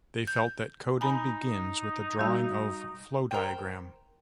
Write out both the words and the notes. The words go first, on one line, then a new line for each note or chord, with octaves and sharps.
They felt that coding begins with the drawing of flow diagram.
G6
D#4 G#5 A#5 B5
G3 F#4
A#4 C5 G5